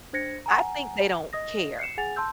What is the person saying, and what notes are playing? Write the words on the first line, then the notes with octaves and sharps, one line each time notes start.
I think they don't care.
D4 C5 G#6 A#6 C#7
F#5 G#5 A#5
D#5 D#6 A#6
C7 C#7 E7
G#4 F#5 G#5 A6 F7
A5 C6 E6 G6